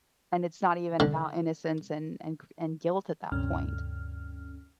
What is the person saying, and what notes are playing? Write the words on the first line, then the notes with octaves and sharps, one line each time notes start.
And it's not even about innocence and and cr and guilt at that point,
D3
D2 G2 C3 C#4 F6